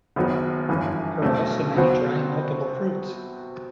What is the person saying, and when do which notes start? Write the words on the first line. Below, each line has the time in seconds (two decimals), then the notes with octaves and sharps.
There are also many dry multiple fruits.
0.16 F#1 F#2 D#3 F#3 B3
0.69 G1 F#2 E3
1.22 B1 B2 A3 C4
1.75 C3 F#3 B3 F#4 C5